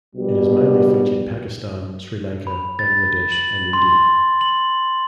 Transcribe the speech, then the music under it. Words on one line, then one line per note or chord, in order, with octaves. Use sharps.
It has mainly featured Pakistan, Sri Lanka, Bangladesh, and India.
A#1 B2 G3
B5
A6
F#7
C6
F#7